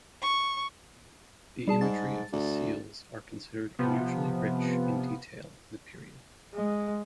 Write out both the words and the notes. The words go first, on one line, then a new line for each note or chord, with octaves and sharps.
The imagery of his seals are considered unusually rich in detail in the period.
C#6
G3 G#4 A5
G#2 A6
D2
C3 F3 B3
G#3